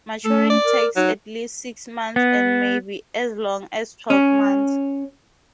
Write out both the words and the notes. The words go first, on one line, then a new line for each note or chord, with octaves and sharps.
Maturing takes at least six months and may be as long as twelve months.
A3 A4
D5
A#4
F#3 D#4
B3
C#4